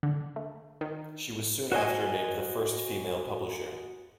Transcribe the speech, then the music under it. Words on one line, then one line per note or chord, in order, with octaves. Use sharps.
She was soon after named the first female publisher.
D3
A3
D#3
F#4 C5 D#5 G#5